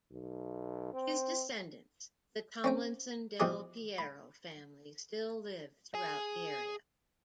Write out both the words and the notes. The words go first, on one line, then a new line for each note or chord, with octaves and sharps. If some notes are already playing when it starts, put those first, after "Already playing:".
His descendants, the Tomlinson-Del Piero Family, still live throughout the area.
B1
C4
C4 C#4 G5
B2 E3 F3 G4 G#4
B5
G#4 G#5